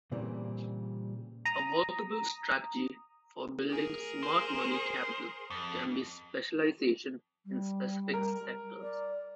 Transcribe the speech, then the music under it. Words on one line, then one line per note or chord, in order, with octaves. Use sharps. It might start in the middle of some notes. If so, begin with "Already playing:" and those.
A workable strategy for building smart money capital can be specialization in specific sectors.
A#2 C#3 E3 G3 A#3 C4
A#5 D#6
G#4 A#4
C5
F2
G3
A#4
D5